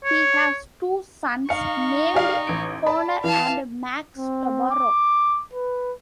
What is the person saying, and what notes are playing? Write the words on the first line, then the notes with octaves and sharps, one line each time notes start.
He has two sons named Connor and Max Tabarrok.
C#5
D#4 F5 C#6 C#7
G4 D5 F5
A1 D7
D5 A5 B5
E3 F5 A5
C4
D6
B4